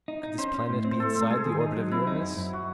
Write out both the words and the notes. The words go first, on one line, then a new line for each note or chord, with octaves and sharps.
Could this planet be inside the orbit of Uranus?
D#4
D#4
C#4 C5
C#4
A2
C4
C5
A2 A4
A3
A4
G#3 G#4
D#3
D#4
F#3
C4 E4
D#4
F#2
F#2
F#4